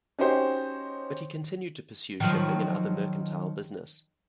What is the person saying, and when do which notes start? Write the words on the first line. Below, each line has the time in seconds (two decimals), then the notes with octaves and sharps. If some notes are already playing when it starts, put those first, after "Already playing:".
But he continued to pursue shipping and other mercantile business.
0.19 C#4 D#4 F#4 G4 C5
2.20 D#3 F3 F#3